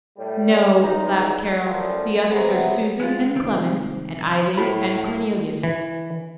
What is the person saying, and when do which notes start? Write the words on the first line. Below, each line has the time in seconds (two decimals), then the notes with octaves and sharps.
"No," laughed Carol, "the others are Susan, and Clement, and Eily, and Cornelius."
0.17 A2 G3
0.78 E2 G2 C#3 E3 G#3 D#4
1.65 A1 F#2 A2 F3 G3
2.30 C3 F#3 B3
3.00 G#3 B3 F4
3.34 C2 D#3 C4
4.57 A2 B5
5.63 E3